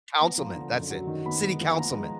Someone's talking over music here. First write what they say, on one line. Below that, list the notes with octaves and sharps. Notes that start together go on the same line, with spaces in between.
councilman. That's it, city councilman.
B3 A#5
F3
D3
F#2
F#3
D#3
B3 B5
G#3
F3
B3 A#5
G#3